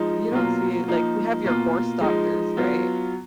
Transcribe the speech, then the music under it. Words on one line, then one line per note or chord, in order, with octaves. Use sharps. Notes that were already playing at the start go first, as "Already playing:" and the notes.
You don't see it like, you have your horse doctors, right?
Already playing: F3 G#3 D#4
B2 F#3 A#3 F4
F3 A#3 D#4
B2 A#3 F4
F3 G#3 D#4
F#3 B3 F4